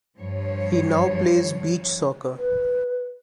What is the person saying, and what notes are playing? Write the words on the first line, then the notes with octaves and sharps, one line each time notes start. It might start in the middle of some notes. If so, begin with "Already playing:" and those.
He now plays beach soccer.
G2 F3 C#5
B4